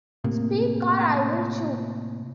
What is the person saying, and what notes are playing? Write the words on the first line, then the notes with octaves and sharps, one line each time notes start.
Speak or I'll Shoot!
A2 C3 A#3